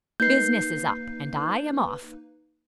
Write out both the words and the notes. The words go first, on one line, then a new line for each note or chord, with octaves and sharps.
"Business is up and I am off!"
A#3 D#4 B4 G6 C7